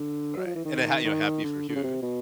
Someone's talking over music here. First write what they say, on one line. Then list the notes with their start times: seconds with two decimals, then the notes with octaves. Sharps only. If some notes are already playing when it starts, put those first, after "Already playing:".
Right, and, uh, how you know, happy for who?
Already playing: D3
0.37 F#3
0.46 F3
0.56 E3
0.65 D#3
1.05 D#3
1.44 D3
1.69 D3
1.76 C#3
1.83 C3
2.02 B2